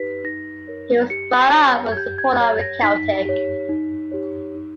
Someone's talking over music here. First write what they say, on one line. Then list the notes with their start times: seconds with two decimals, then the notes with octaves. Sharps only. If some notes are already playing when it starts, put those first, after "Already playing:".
He was brought up a supporter of Celtic.
Already playing: D#4 G4 B4 B6
0.24 D#4 A#6
0.68 A#4 C#5
1.10 G4 C#7
1.54 C#5
1.92 G#6
1.96 G4 G6
2.18 G#6
2.40 C#5 G#6
2.61 A#6
2.82 D#4 B6
3.25 G4 C#5
3.69 D#4
4.11 G4 C#5
4.55 D#4